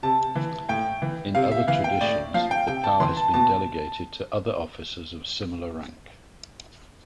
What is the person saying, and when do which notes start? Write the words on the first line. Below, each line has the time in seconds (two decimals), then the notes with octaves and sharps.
In other traditions, the power has been delegated to other officers of similar rank.
0.03 C3 A5
0.35 E3
0.69 A2 G5
1.02 E3
1.35 C3 F5
1.52 E5
1.68 E3 F5
1.84 G5
2.01 A2 D5
2.34 F3 F5
2.51 G5
2.67 C3 G5
2.84 A5
3.00 E3 C6
3.17 A5
3.34 B2 A5